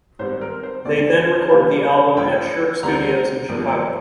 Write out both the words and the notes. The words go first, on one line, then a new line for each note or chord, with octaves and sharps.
They then recorded the album at Shirk Studios in Chicago.
G#1 G#2 G3 C4 C5
A#4
C5
D#2 D3 G#3 C4 D5
C2 C3 G3 A#3 F5
A#1 G#2 F3 G5
D2 D3 G3 C4 A#5
G#1 G2 F3 A#3